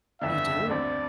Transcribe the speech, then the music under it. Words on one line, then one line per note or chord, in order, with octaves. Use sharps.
You do.
G1 F2 D3 E5
D2 D3 A3 C4 D5